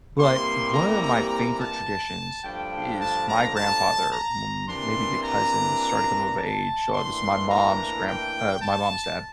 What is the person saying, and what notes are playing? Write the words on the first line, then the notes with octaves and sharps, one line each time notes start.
But one of my favorite traditions i is my grandfather, m maybe the cousins, started to come of age. So, this is my mom's grandp uh, my mom's dad.
C3 E3 G3 A#3 C6
A#5
A#5
A#5
A5
G2 F3 A3 D4 G5
A5
A#5
A5
A#5
C3 E3 A#3 D4 C6
A#5
A5
A2 E3 A#3 D4 C6
A#5
G5
A5